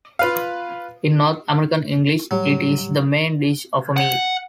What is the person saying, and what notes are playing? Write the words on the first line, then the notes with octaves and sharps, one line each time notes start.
In North American English, it is the main dish of a meal.
F4 B4 F5
A2 F#3 G3 G4
F#5